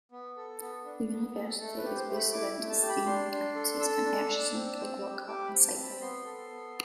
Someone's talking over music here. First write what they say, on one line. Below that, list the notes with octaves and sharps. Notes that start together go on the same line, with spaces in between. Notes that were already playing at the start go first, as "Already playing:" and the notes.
The university is based around its three main campuses at Merchiston, Craiglockhart and Sighthill.
B3
A4
B3
D4
B3
A4
A3 A4
B4
G4
C5
A3
B5
E4 D6
A3
A5
G4
B5
D4 C6
D4
A4
A4 E6
D4
D4
C4
C4
G4
G4 D6
B5
C4
A5
C4
B5
B3 C6
A4
B3